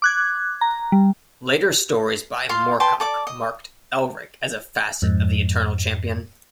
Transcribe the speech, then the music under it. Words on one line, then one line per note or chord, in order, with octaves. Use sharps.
Later stories by Moorcock marked Elric as a facet of the Eternal Champion.
D6 F#6 G#6
A#5
G3
F4 F5 C6
B4 G5 A5 C6
A4 D5 D6
D#5
F2 G#2